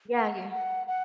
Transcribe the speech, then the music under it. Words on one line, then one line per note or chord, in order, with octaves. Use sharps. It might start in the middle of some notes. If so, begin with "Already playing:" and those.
Yeah, you
F#5
F#5
F#5